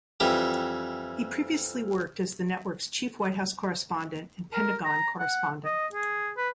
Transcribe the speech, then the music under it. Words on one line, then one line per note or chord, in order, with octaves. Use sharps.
He previously worked as the network's Chief White House Correspondent and Pentagon correspondent.
F2 E3 G3 G4
A#4
A#5
F#5
D#5
G#4
B4